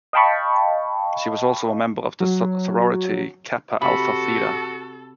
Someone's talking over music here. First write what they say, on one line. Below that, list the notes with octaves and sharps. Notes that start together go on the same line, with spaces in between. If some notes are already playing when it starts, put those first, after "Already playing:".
She also was a member of the sorority Kappa Alpha Theta.
D#5 F5 G5 A5 B5 C#6
F#3
C3 F#4 A4 B5